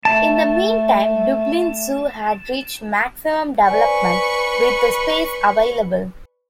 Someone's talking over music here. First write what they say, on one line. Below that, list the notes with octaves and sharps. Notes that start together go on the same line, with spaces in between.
In the meantime, Dublin Zoo had reached maximum development with the space available.
A3 A5
B4 C5 D5 G#5 C#6